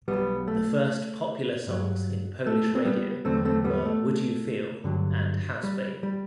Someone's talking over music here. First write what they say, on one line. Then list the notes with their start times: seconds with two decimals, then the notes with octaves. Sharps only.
The first popular songs in Polish radio were "Would You Feel" and "House Babe".
0.08 B1 B2 F#3 G3 B3
0.48 A3
1.67 G2 F#3
2.46 A3
2.75 C4
2.85 G3 B3
3.25 E2 D3 F#3 A3 C4
3.45 A3 C4
3.64 G3 B3
3.85 A3
4.84 G2 D3 F#3
5.63 G3
6.03 G3